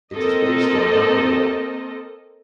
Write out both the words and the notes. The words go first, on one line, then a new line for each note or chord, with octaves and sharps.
It is based in Bangalore.
A#3 C4 A4 A#4 D#5